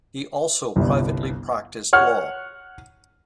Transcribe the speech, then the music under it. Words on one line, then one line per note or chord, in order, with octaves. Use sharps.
He also privately practiced law.
G1 C2
C#5 F#5 F6